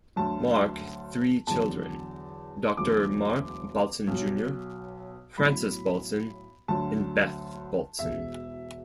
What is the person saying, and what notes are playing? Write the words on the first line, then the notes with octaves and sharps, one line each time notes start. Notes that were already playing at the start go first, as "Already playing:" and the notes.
Marc had three children: Doctor Marc Baltzan Junior, Frances Baltzan and Beth Baltzan.
D2 D3 F#3 A5
E2 D3 F#3 A5
E1 D2 D3 F#3 D6
B1 B2 F#3
B1 A2 F#3 B5
D2 D3 F#3 A5
E1 E2 B2 E5